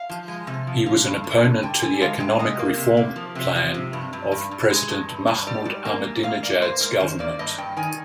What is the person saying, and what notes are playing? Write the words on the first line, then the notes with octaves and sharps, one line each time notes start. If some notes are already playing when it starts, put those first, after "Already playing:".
He was an opponent to the Economic reform plan of President Mahmoud Ahmadinejad's Government.
Already playing: F5
F3
G#3
C3
F3
D3 F5
G2
D3
G2
D3 G5
D3 G#5
G#3 F5
G#3 G5
C3 D#5
A#3
C3
A#3
F3
C3
F3
C3
G2
G2
G2
G2
G#3
G2
G2
G2
G3 D5
G#2
A#3
G#2
G#2 F5
A#3 D5
A#3 C5
G#2 A#4
D#3 C5
A#3 D5
G2 D#5
G2 G5
D#3 G#5